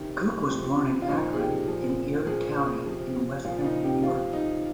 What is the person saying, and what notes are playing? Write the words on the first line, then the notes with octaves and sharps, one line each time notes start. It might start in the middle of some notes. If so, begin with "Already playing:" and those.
Cook was born in Akron, in Erie County, in western New York.
Already playing: C3 D#3
C3 F3
F4
A#2 F3 D#4
G#4
G4
A#2 F3
A#2 F3 G#4
C3 F3
A#2 F3 F4
D#4
G4
C3 F3 F4
D#4